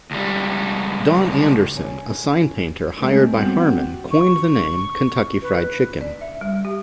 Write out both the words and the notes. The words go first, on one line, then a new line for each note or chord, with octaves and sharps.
Don Anderson, a sign painter hired by Harman, coined the name "Kentucky Fried Chicken".
C#2 G3
C#4
G#3 A3 C4 A#4
G3 B3 C4 F#4
C#6
B4
D5
E5
G3
G4